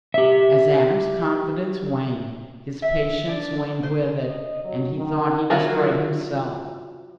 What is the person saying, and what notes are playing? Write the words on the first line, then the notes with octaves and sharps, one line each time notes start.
As Adam's confidence waned, his patience waned with it, and he thought he must write himself.
G4 E5
E5
D4
C5
D#5
F#3
D#3
F#3 C4 E4 F4 A#4